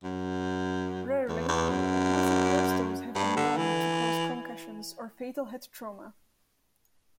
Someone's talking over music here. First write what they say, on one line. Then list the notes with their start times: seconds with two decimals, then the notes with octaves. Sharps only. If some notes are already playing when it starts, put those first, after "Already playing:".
Rarely, massive hailstones have been known to cause concussions or fatal head trauma.
0.03 F#2
1.28 E2
1.48 E2
1.69 F#2
3.15 G2
3.36 D3
3.57 E3